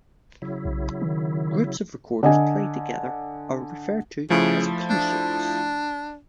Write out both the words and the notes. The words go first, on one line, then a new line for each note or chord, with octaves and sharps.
Groups of recorders played together are referred to as consorts.
C#3 F#3 E4
B1
D#3
D3 D#5 G#5
C#3 F3 A3 E4
D4